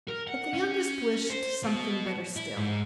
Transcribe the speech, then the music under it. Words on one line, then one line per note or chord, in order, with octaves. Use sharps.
But the youngest wished something better still.
A#4
F#5
C#4
C5
B2
E4
G#2